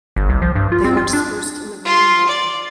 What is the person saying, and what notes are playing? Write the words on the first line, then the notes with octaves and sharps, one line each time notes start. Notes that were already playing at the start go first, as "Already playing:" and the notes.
They are dispersed in the running water.
G1
C2
F3
G2
F4
C4
F4
D4
F4 C6
D5